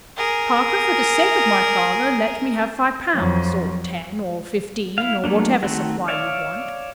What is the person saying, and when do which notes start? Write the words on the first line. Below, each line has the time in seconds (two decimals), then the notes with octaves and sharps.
Parker, for the sake of my father, let me have five pounds,' or ten, or fifteen, or whatever supply you want.
0.17 G#4 A#4
3.14 F2 F#3
4.98 E4 F5
5.24 F#3 A3 A#3 D4
5.63 D#3 A3 C4 F#4
6.08 C#5 D5 E5 F5